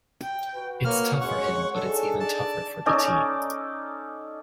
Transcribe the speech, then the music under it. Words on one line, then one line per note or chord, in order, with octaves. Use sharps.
It’s tough for him, but it’s even tougher for the team.
G5
F#4 B4
A#3 C#5 F6
G#3 C#4 F#5 C#6
D4 D#4 G#4 A4
D5 A5
C#4 D#4 A4 D5